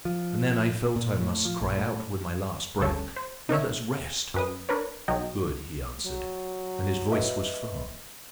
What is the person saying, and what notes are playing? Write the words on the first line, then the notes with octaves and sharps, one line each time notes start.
And then I felt I must cry out with my last breath, 'Let us rest!' . . . 'Good!' he answered; and his voice was firm.
F3
A#2
A2
F3
A#1
A2
G1 D2 C#3 A4 C#5
C5
D#4 A#4 C#5 E5
F#2 B4 D#6
D4 A#4 B4 C#5
B1 F#3 D#5 G5
F#3
B4 D#5 E5